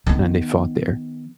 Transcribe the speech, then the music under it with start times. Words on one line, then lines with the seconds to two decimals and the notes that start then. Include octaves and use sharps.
and they fought there
0.06 D#3 B3